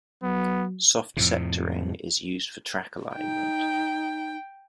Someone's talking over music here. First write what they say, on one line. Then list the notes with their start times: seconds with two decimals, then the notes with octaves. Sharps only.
Soft sectoring is used for track alignment.
0.23 F#3 B3
1.17 F2 A2 C3
3.16 D#4 G5